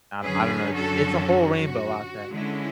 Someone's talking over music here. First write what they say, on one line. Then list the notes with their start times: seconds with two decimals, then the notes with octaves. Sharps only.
I do I don't know. It's just it's a whole rainbow out there,
0.23 F#2 D3 F#3 C#4 G#4 B4
0.74 F#4 A4
1.26 F#4
2.29 D3 G#3 C#4 E4